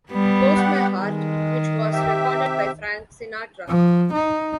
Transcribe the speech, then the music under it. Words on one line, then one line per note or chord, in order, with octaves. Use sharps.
Goes My Heart, which was recorded by Frank Sinatra.
G3 B3
G4 F#5
D#3 G#3
C3 G4 E5
F3
D#4